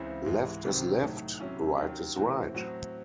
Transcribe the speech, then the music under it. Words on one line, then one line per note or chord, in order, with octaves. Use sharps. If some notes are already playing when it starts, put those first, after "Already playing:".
Left is left, right is right.
Already playing: C#2 C#3 E3 C4 E4
G#2 E3 G#3
C2 C3 D#3 F#3 C4
A2 F#3 A3 D#4
C3 F#3 C#4 E4
D#2 D#3 F#3
A2 E3 C4 F#4
A2 F#3 C4 F#4